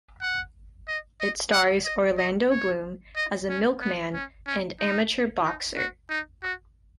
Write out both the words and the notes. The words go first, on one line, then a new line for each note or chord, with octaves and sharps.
It stars Orlando Bloom as a milkman and amateur boxer.
F#5
D#5
D#5
F#5
D#5
D#5
C#5
D#5
C#4
B3
C#4
C#4
D#4
D#4
F#4
D#4
F#4